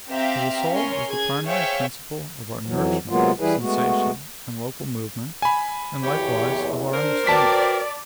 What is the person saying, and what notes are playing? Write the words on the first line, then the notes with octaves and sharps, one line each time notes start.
For the soul is the primary principle of our nourishment, sensation, and local movement; and likewise of our understanding.
C4 G4 E5 F5 G5 A#5
C#4 A#4 C#5 C6
G#4 G#6
G#4 C5 C#5 E5 F5 G5
F2 E3 F#3
C3 F#3 G#3 A#3 B3 F4
E3 G3 E4 G#4 B4
G#3 A3 B3 F#4
G#5 B5
F#1 B1 E2 G4 C#5
D4 A#4 C5
F#4 B4 D5 G5 A5 B6